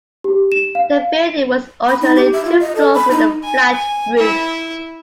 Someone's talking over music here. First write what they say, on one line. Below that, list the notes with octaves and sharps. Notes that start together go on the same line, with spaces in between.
The building was originally two floors with a flat roof.
G4
E7
F5
B5
D#4
G4
E5
F4
D#5
A4
B5
D#4
G#5
G#5
E4